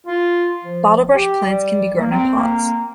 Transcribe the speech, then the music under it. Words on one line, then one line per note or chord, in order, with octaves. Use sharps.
Bottlebrush plants can be grown in pots.
F4
F3
G4
G3
A#3
C4
A#3